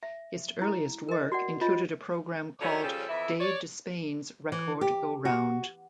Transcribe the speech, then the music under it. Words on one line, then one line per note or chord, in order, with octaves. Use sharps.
His earliest work included a program called "Dave Despain's Record-Go-Round".
E5
E4
A#4 D#5
F#4 D5 F#5
F4 C#5 D#5
D3 D#3 E4 F#4 C#5
C#3 F3 G3 C#4 G4 A4
F2 E3 E4 E5
C#5 D5
E3
G4
F#4